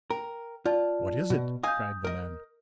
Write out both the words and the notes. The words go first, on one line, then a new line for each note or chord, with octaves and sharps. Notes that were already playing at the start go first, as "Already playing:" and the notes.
"What is it?" cried the men.
A#4 G5
F4 D5 A5
B2
D#5 F5 G#5 D#6 G6
A#4 D#5